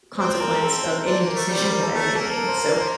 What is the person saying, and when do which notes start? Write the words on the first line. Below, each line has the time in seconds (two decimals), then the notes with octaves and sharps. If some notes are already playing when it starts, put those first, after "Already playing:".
consequence of any decision that I'm making. So,
0.18 C4 C5
0.29 C5
0.40 A#4
0.51 A#4
0.61 A4
0.84 C5
1.06 D4 C5
1.20 A#3
1.27 A#4
1.34 A3
1.49 G3
1.57 C5
1.64 A#4
1.71 C5
1.83 A4
1.92 A3 A#4
2.03 A4
2.15 A#3 A4
2.25 A4
2.37 A#4
2.48 C5
2.58 A#4
2.75 A#4
2.81 C5